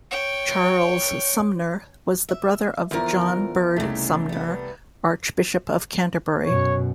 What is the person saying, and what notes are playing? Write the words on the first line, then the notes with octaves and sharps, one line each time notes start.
Charles Sumner was a brother of John Bird Sumner, Archbishop of Canterbury.
C#5 G5
E5
E2 A#2 D3 F3 A#4
C2 C#3 A3 D#4 B6
G3 B3
F#2 B2 C#5